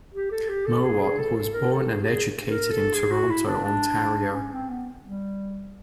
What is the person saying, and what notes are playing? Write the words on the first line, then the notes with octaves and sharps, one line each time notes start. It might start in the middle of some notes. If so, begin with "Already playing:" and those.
Mowat was born and educated in Toronto, Ontario.
G4
A4
G4
A4
G#4
G#4
A4
A4
A#4
A4
G#4
G4
G#4
A#4
A4
G#4
F#4
E4
D4
D4
C#4
C4
B3
G3